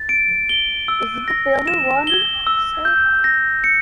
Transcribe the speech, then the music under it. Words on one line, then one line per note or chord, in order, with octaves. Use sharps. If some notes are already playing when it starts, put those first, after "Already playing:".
Is it the bill you're wanting, sir?
Already playing: A6
D7
G7
E6
A#6
E7
G7
E6
G6
A#6
C#7